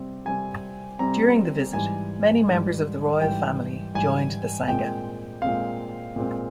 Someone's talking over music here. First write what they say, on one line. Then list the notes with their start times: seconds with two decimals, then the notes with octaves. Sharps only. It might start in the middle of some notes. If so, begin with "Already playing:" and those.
During the visit, many members of the royal family joined the sangha.
Already playing: C3 G3 C4
0.25 C3 G3 C4 G#5
0.99 C3 G3 C4 A#5
1.73 G#2 E3 G3 G#5
2.48 G#2 E3 G3
3.20 G#2 E3 G3 G5
3.94 G#2 E3 G3 G#5
4.68 A#2 G#3 C4 G5
5.42 A#2 G#3 C4 F5
6.16 A#2 G#3 C4